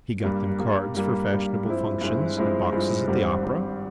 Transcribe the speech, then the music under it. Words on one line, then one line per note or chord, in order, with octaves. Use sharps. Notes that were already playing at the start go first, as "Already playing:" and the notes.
He got them cards for fashionable functions and boxes at the Opera.
G2 G3 A#3
G2 G3 A#3
G2 G3 A#3
G2 G3 A#3
G2 F3 G#3 C4 E4
G2 F3 G#3 C4 E4
G2 F3 G#3 C4 E4
G2 F3 G#3 C4 E4
G#1 G2 G3 C4
G#1 G2 G3 C4